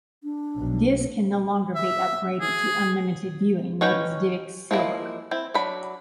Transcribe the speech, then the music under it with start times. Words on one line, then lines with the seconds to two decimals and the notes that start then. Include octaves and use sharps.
Discs can no longer be upgraded to unlimited viewing, known as Divx Silver.
0.24 D4
0.56 B1
1.75 E5
2.41 G#4
3.81 C#4 D#4 B4 C#5 G5
4.71 F3 G#3 A#3 E4
5.31 C4 E4
5.54 F#3 D4 B5